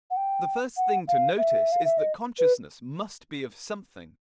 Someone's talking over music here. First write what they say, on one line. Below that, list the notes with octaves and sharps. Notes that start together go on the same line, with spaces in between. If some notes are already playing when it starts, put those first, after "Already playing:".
The first thing to notice is that consciousness must be of something.
F#5
G5
F#5
F5
E5
F5
E5
D#5
B4